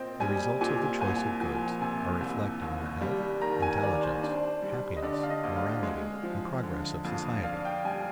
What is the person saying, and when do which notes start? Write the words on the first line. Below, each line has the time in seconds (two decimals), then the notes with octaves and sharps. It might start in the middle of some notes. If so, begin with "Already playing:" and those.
The results of the choice of goods are reflected in the health, intelligence, happiness, morality, and progress of society.
Already playing: A#2 C4 D#5 G5
0.20 G3 G#5
0.61 A#2 G#5
1.01 C2 G#5
1.41 F3 G#5
1.81 C3 G#5
2.21 C2
2.62 D#2
3.01 G3
3.42 D#3 A#5
3.62 G#5
3.82 D#2 D5
4.03 C5
4.22 D4 C5
4.62 G3
4.96 D#5
5.02 D3 D5
5.23 F5
5.30 D#5
5.43 D2
5.56 F5
5.83 G#3
6.23 F3
6.63 D3
7.05 F2
7.44 D4 F5
7.65 G5
7.85 G3 G#5